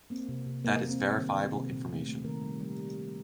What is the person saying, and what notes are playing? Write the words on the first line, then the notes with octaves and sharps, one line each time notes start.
That is verifiable information.
A#3 C4
C3
C3
A#3
A#3
C4
G3
D#3
D#3
A4
C3
A#2
A3
A3
D#3 A#4
G3
G3